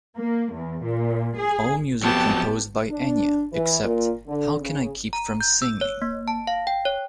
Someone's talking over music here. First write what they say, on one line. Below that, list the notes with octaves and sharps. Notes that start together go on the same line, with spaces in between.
All music composed by Enya, except How Can I Keep from Singing?
A#3
E2
A#2
G#4
F2 F#3 B3 G4 A5
D4
E3
A#2
D3
C#3
A#5
G6
E6
C#5
A#3
A5
F5
G5
C#5